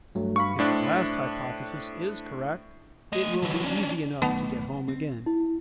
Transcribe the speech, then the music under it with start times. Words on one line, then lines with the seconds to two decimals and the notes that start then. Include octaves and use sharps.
If the last hypothesis is correct, it will be easy enough to get home again.
0.15 G2 F#3 A3
0.36 G2 F5 B5 C#6
0.59 A2 D4 C5 E5
3.13 A3 D#5
3.42 E3 F#3
3.64 C#4 D4
4.22 B1 D#3 A3 B3 D#4 A5
4.88 C4
5.26 E4